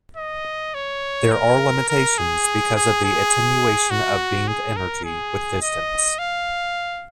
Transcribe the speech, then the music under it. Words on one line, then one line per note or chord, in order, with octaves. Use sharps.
There are limitations because of the attenuation of beamed energy with distance.
D#5
C#5
A#4
A#4
G#4
G#4
G#4
F#4
G#4
A#4
G#4
D#5
F5